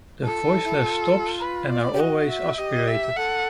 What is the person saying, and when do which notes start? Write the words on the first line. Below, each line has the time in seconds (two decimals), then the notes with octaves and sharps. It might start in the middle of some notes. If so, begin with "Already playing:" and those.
The voiceless stops and are always aspirated.
0.24 F4 A4
0.44 E4
0.64 E4
0.75 F#4
0.82 F4
1.41 B4
1.71 D5
1.93 G4
2.00 F#4 D#5
2.29 E5
2.58 G4 D#5
2.88 E5
3.16 A4 F#5